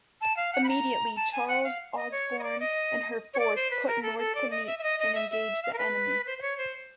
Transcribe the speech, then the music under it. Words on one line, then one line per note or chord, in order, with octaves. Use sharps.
Immediately, "Charles Ausburne" and her force put north to meet and engage the enemy.
A5
F5
F#5
B5
A#5
A5
G#5
F#5
F5
D#5
C#5
D#5
D5
D#5
C#5
D5
C5
B4
A#4
A4
A4
D5
D#5
E5
E5
D#5
D#5
E5
E5
F5
A#4
B4
C5
C5
C#5
C5